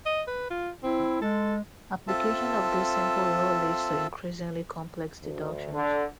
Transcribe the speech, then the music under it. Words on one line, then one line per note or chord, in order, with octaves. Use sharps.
Application of this simple rule leads to increasingly complex deductions.
D#5
B4
F4
C4 E4
G#3 A4
C4 F4 A4 E5 A5
D2
D3